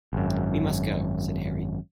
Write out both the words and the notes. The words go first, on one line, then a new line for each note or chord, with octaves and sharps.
"We must go," said Harry.
G#1 F#2